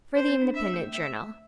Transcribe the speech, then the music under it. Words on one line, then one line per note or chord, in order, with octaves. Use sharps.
For the Independent Journal.
C5
C4
D4
D4 E5
A3
A3 E5